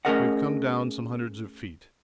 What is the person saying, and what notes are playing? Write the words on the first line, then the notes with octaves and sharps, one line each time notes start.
We have come down some hundreds of feet.
A3 C#4 G#4 A#4 D#5 F#5